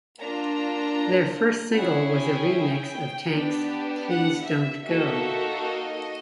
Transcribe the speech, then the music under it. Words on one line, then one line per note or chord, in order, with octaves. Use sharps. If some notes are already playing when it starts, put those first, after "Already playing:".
Their first single was a remix of Tank's "Please Don't Go".
A#3 D4 F4 A#5
C#4 E4 G#4 F#5
G5
B3 D4 G4
F#5
E5
A#3 D#4 F#4 A4 E5
D#5